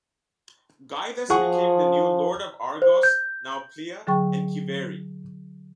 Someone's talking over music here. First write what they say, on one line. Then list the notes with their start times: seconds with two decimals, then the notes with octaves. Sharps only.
Guy thus became the new "Lord of Argos, Nauplia and Kiveri".
1.30 F3 G#4 F#5 C#6
2.82 C5
3.03 G6
4.07 D3 F#3 G#4 G5 C#6